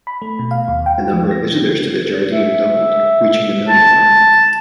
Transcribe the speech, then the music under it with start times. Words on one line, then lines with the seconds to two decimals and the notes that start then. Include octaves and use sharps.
The number of visitors to the Jardin doubled, reaching the million mark.
0.07 B5
0.22 A3
0.39 B2
0.51 F5
0.68 D#2
0.86 G5
0.98 F#4
1.13 F3
1.31 A#6
2.31 E5
3.68 A5